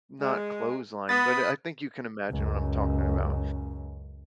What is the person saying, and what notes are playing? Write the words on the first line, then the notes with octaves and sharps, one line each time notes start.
not clothesline- but I think you can imagine what I'm talking about,
G#3
B3 B5 D#6 A6
C#2 F#2